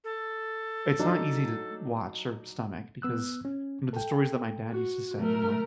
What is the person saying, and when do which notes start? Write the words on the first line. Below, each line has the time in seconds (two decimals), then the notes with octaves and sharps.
it's not easy to watch or stomach because, me the stories that my dad used to say, you know,
0.04 A4
0.99 F#3 D4 D#4
3.02 B3 E6 F#6
3.45 C#4
3.93 A4 G5
4.71 F#4
5.18 B2 F#3 A3 A#4